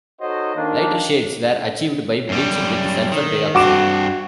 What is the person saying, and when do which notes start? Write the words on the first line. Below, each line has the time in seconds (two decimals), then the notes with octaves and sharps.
Lighter shades were achieved by bleaching with sulphur dioxide.
0.21 D#4 F#4 A4 C5 C#5 D#5
0.56 D#3 A#3 D4
2.29 F#2 G3
3.12 D#3
3.55 G2 C4 F#4 D6 E7